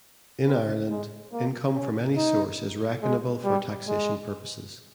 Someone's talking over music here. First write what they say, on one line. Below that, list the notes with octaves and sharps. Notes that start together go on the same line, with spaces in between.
In Ireland, income from any source is reckonable for taxation purposes.
C4
G#3
A#3
C#4
D#4
G#3
G3
G#3